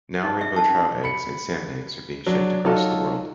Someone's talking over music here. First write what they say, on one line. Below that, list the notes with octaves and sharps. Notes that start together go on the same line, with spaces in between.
Now rainbow trout eggs and salmon eggs were being shipped across the world.
D#4
E5
A5
C#4
B5 C#7
F#3 D4
F#3 D#4 F4 F#4 A4